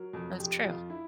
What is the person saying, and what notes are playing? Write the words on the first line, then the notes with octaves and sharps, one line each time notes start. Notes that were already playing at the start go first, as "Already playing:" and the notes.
That's true.
Already playing: F#3 A#4
F2
F2 G4
F2 F4
E4